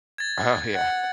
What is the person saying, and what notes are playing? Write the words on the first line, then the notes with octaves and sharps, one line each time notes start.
Oh, yeah.
G#6 A6
F#5